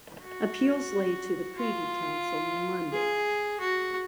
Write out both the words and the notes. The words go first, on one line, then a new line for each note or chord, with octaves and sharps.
Appeals lay to the Privy Council in London.
F#4
F4
G#4
F#4